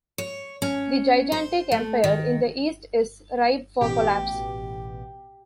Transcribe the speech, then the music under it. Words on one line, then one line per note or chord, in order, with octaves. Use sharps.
The gigantic empire in the East is ripe for collapse.
C#5
C#4
C5
A3
D#3
A1 B2 B3 G4